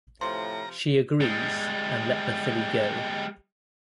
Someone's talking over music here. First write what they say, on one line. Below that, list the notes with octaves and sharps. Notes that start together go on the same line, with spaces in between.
She agrees to let the filly go.
A2 C3 F3 A#5 C6
G3 G#3